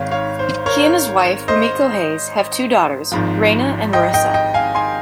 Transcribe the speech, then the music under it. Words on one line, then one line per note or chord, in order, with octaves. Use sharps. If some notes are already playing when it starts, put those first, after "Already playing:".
He and his wife, Rumiko Hayes, have two daughters, Reina and Marissa.
Already playing: G#1 G#2 D#3 C#5 F5
C#5 F5
C5
A#4 C#5
C5 D#5
G#1 G#2 F3
D#5 G5
D#5 G5
D#5 G5
F5 G#5
G#5 C6